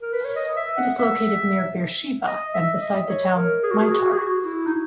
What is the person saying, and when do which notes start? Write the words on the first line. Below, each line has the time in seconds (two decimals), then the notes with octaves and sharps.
It is located near Beersheba and beside the town Meitar.
0.02 A#4
0.13 B4
0.25 C#5
0.36 D#5
0.57 E5
0.77 F#5
0.98 E5
2.27 D#5
2.54 E5
2.81 D#5
3.09 C#5
3.36 A#4
3.63 G#4
3.71 F#4
3.79 G#4
3.90 F#4
4.12 G#4
4.18 F#4
4.45 E4
4.67 D#4